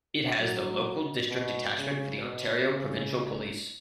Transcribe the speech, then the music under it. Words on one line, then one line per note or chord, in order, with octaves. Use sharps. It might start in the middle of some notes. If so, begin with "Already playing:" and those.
It has the local district detachment for the Ontario Provincial Police.
F#3
B2
C#3
B2
C#3